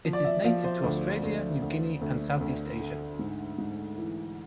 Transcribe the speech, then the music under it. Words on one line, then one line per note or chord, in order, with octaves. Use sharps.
It is native to Australia, New Guinea and Southeast Asia.
F3
D5
E5
F3 F5
C5
D2
D2
D2
D2
D2
D3
G#2
G#2
E3